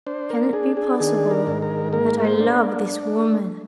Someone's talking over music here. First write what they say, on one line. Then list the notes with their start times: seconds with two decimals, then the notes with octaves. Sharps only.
"Can it be possible that I love this woman?"
0.07 D4 C5
0.30 A#4
0.53 D4 G#4
0.77 G#4
1.00 D#3 G#4
1.31 A#4
1.47 G#2
1.62 A#4
1.93 A#3 A#4
2.20 A#4
2.25 C5
2.40 D4